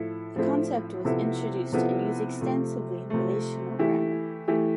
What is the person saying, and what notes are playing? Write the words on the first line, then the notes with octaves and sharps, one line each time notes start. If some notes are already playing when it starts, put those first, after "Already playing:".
The concept was introduced and used extensively in relational grammar.
Already playing: A2 F3 E4 A4
A2 F3 C4 E4 A4
C3 F3 B3 E4 A4
C3 F3 B3 E4 A4
C3 F3 A3
C3 F3 A3
E3 A3 E4 G4
E3 A3 E4 G4